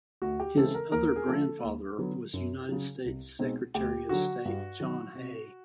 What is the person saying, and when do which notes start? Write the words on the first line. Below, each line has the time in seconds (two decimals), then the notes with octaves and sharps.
His other grandfather was United States Secretary of State John Hay.
0.22 D2 F#4
0.40 G4
0.57 C#3 E3 G#3 C4 A4
0.74 A#4
0.92 D#2 A#4
1.16 G#4
1.27 D3 F3 A3 A4
1.63 D#2
1.98 D3 F#3 B3
2.33 F#2
2.69 C#3 F#3
3.04 C2
3.39 B2 G#3 C4 D#4
3.74 D2 G4
4.09 D3 F#3 F#4
4.45 G2
4.80 D#3 F#3
5.15 C3